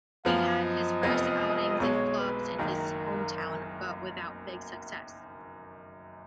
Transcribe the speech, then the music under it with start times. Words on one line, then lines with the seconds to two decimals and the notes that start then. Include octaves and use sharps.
He had his first outings in clubs in his hometown but without big success.
0.25 F#2 F3 B3 F5
0.64 D#5
1.03 F1 F2 F3 B3 F4
1.80 B1 B2 G#3 C#5
2.19 B4
2.58 F#1 F#2 D#3 A#4